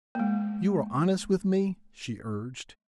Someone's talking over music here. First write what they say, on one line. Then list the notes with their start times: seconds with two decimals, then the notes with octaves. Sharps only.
"You are honest with me?" she urged.
0.15 G#3 A#3